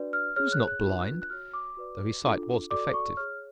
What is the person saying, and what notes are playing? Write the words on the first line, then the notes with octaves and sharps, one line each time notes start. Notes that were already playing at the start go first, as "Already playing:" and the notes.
He was not blind, though his sight was defective.
Already playing: D4 F#4 B4 D5
F6
G#4 C#5 F6
F#6
F#6
D4 F4 B4
F#6
F#4 C#5 F6
D6
F#4 B4 D5
D4 F4 A4
F#4 A4 D5 D6
C#6
G#4 C#5 F6